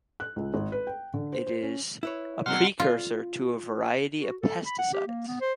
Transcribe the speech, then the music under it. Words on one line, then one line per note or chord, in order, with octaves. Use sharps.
It is a precursor to a variety of pesticides.
F#6
C#2
G#1
B4
G5
D3
C5
C5
C#4
E4 B4 C#5
B2 F#3 C4 F#5 C6 F6
F4
F#4
A4
B5
F#5
G4
A#3
B3
C5